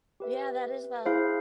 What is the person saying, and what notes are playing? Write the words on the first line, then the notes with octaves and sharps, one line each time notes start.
Yeah, that is wild.
G4 B4 E5
E4 G#4 C5 F5